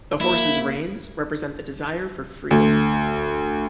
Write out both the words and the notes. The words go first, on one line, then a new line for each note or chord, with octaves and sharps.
The horse's reins represent the desire for freedom.
A#3 E4
D2